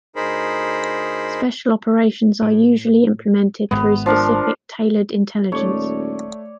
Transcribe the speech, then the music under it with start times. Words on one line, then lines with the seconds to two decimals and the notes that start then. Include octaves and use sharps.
Special operations are usually implemented through specific, tailored intelligence.
0.16 D2 D#4 G#4 A#4 C5 B5
2.42 A2
3.71 G#1 G#2 G#3 B3
4.06 F3 D4 A#4
5.52 D#1 A3 C#5 D5